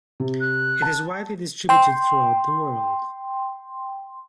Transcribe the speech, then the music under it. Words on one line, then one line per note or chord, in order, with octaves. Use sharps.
It is widely distributed throughout the world.
C3
F#6
A5
G5 C6